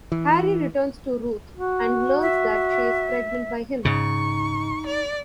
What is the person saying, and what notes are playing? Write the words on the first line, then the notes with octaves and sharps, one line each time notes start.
Harry returns to Ruth and learns that she is pregnant by him.
E3
F#4
E5
G#2 C#3 D#4 C#6
D5